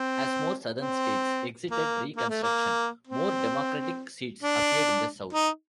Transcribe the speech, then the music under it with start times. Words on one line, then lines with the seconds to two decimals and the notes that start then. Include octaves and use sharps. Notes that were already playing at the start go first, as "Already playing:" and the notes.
As more Southern states exited Reconstruction, more Democratic seats appeared in the South.
Already playing: C4
0.81 C4
1.71 A#3
2.16 A#3
2.30 A3
2.43 A#3
3.07 C4
4.43 D4
5.33 D#4